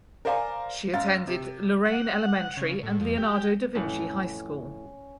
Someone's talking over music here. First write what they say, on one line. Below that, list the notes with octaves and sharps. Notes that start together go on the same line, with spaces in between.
She attended Lorraine Elementary and Leonardo da Vinci High School.
A#4 C5 D5 F5 G#5 A#5
F#2 F5 A6
C3
F#5
C#3
A2
F2
G4
F2 A2 E3 C#4